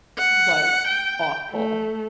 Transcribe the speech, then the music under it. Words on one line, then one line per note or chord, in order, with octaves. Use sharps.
was awful,"
F#5
G5
A3